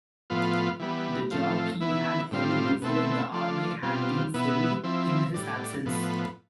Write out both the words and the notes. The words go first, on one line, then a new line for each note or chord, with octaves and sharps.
The job he had held before the army had been filled in his absence.
A2 F3 B3 F4
E3 G3 B3
A2 F3 A3 C4 F4
E3 B3 E4
A2 G3 C4 F4
B2 A3 C4 E4
F3 A3 D4 F4
B2 G3 C4 F4
B2 B3 E4
F3 C4 E4
A2 G3 D4
A2 F3 B3